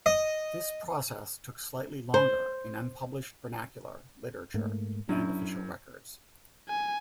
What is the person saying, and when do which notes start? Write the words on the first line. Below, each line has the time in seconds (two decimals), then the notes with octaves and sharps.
This process took slightly longer in unpublished vernacular literature and official records.
0.06 D#5
2.14 C5
4.54 G#2 A3 A#3
5.09 F#2 D4 E4
6.68 G#5